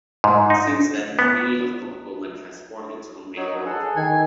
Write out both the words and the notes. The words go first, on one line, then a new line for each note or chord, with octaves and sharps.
Since then, the community of Kückhoven has formed its own Mayoralty.
G#2
D#4
B3
F#3 D#4
G#4 A4 F#5
D#3 G#5